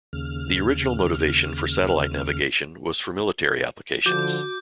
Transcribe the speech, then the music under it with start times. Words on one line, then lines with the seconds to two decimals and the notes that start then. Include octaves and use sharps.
The original motivation for satellite navigation was for military applications.
0.13 D#2 C#3 F6
4.06 D3 F3 F#4 D6 G6